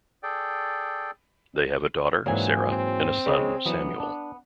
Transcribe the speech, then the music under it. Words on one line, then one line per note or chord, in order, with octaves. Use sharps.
They have a daughter, Sarah, and a son, Samuel.
G#4 A4 D5 G5
G#2 E3 F#3 A#3 C4 G#5
C4
C#3 G#3
E3 F#3 B3
D4